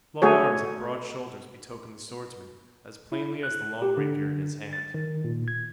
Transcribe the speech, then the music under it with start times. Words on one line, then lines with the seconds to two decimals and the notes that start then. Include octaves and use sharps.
Long arms and broad shoulders betokened the swordsman, as plainly as the long rapier in his hand.
0.22 A3 F#4 G#4 C#5
3.12 E4
3.43 F#6
3.82 G4
3.97 D3
4.73 A6
4.94 D#3
5.24 A#2
5.48 G#6